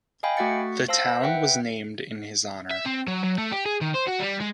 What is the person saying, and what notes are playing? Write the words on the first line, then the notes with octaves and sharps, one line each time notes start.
The town was named in his honor.
D#5 F5 G5 G#5 B5
A3 F#4 E5 F#5 A6 C#7
C5 F5 A5 E6 A#6
B4 E5 F#5 G5
E5
C4
F#3
F#3
A3
G4
G#4
D#3
C5
F#4
G3
G#3